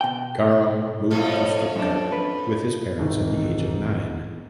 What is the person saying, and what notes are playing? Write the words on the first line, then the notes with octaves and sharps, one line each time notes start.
Karl moved to Stuttgart with his parents at the age of nine.
B2 G5
F2 A2 C#4
F#2 D4
B4
E1 C2 G#2 C3 D#3